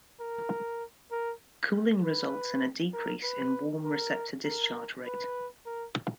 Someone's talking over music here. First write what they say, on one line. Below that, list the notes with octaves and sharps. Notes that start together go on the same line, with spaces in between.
Cooling results in a decrease in warm receptor discharge rate.
A#4
A#4
B4
A#4
B4
A#4
A#4
B4
A#4